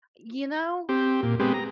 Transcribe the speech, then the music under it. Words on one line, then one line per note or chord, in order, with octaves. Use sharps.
You know,
C4 G4
A#2
G#3 B3 C4 G4
A#5